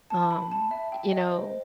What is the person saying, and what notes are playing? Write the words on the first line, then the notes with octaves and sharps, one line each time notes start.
um, you know,
A5
B5
A5
E5
G5
D#5
C5